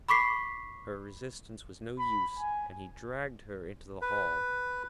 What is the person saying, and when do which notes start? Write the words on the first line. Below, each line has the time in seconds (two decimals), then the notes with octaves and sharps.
Her resistance was no use, and he dragged her into the hall.
0.09 B5 C#6 D6 B6 C7
1.99 B5
2.39 G#5
4.02 B4